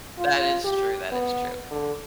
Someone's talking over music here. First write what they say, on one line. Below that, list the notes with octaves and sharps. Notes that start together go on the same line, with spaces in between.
That is true, that is true.
F4
G4
B3
D3